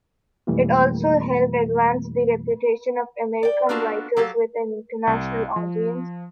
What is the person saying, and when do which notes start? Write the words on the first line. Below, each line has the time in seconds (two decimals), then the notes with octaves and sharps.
It also helped advance the reputation of American writers with an international audience.
0.47 F2 B2 E3 G3 A3 A#3
3.43 D5 G5
3.69 A#3 B3 D4 F4 F#4 A4
4.17 F#3 G4 A4 F5
5.07 C2
5.56 F3